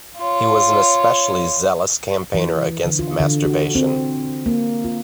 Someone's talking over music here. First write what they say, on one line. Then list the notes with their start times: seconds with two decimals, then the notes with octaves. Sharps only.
He was an especially zealous campaigner against masturbation.
0.17 F4 C#5
2.34 E3
2.85 D3
2.99 F4
3.20 D3
3.45 F#4
3.75 C4
4.46 A#3
4.84 F4